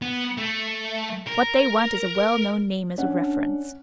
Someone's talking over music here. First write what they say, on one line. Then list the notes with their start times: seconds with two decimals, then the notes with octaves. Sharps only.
What they want is a well-known name as a reference.
0.02 B3
0.37 A3
1.27 A#4
2.98 C#4 D4 F#5